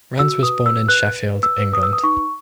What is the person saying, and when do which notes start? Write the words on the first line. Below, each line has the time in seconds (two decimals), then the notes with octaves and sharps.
Rands was born in Sheffield, England.
0.19 F#4 E6
0.43 B4 D#6
0.66 F#4 E6
0.88 B4 F#6
1.12 B4
1.35 B4
1.43 E6
1.58 B4
1.73 D#6
1.81 B4 E6
1.93 D#6
2.03 D#4 C#6